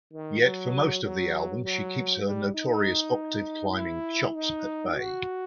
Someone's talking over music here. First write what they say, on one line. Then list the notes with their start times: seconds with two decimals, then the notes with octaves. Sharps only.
Yet for most of the album she keeps her notorious octave-climbing chops at bay.
0.13 D#3
0.44 F#3
1.03 F#3
1.64 F#3
2.24 G3
2.54 D#4
3.74 E4
4.35 D#4
4.95 F#4